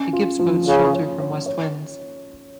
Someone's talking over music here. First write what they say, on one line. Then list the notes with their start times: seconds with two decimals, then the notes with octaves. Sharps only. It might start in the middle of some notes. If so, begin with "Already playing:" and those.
It gives boats shelter from west winds.
Already playing: C#4
0.13 F4
0.39 F3
0.66 C#3 F4
0.93 C#5
1.20 C#5
1.46 C#5